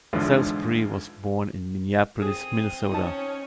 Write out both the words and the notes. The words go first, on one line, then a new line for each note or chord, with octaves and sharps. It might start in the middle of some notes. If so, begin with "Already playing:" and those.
Salisbury was born in Minneapolis, Minnesota.
E2 G#2 D3 F3 B3 C#4
C4 G#4 D#6
C#4 D#4 A5